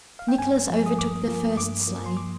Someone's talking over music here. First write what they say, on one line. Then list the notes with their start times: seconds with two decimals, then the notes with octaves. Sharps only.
Nicholas overtook the first sleigh.
0.19 F5
0.28 G5
0.38 G2 G#5
0.68 F3 A#3
0.86 D#6
0.98 G2 D6
1.28 F3 A#3
1.57 G2 D6
1.87 F3 A#3
2.06 C6
2.17 D6